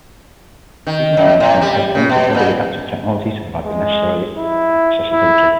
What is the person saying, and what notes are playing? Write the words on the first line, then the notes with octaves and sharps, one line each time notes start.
These machines can use headphones and other adaptive technology to provide the necessary accessibility.
D#3
F#2
A2
G3
C#3
B2
A#2
G#3
E4
E4